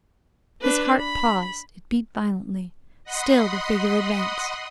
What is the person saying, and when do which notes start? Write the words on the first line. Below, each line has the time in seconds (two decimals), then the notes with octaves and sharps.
His heart paused--it beat violently--still the figure advanced.
0.61 D4 B4
1.00 B5
3.04 D#5 F#5 B5 C6 D#6